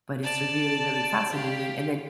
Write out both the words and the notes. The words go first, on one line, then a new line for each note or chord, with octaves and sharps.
but it's really really fascinating, and then,
D5 A5
G4 F5